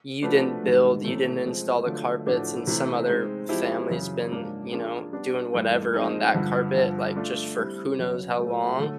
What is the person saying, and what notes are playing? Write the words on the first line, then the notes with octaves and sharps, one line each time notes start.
you didn't build, you didn't install the carpets and some other family's been, you know, doing whatever on that carpet, like, just for who knows how long?
F3 A3 D4 F#4 B4
G#2 D#3 G3
C3 E3 A3 C#4
F3 G#3 C4
D3 F#3 A3 D4 F4
A2 F3 A3 D4 F#4
C3 E3 A3
G#3 C4 D#4
F3 G#3 C4 E4 G4
F#2 C#3 E3
G#2 F3 A#3 D4
F3 A#3 D4 F4 G#4
G3 B3 D4
G2 E3 A3
F3 G#3 C4 D#4
G2 D3 F3
G2 D3 F3
A3 D4 F4
G3 C4 E4
F#2 C#3 F#3
A#2 F#3 A3
D3 F#3 A3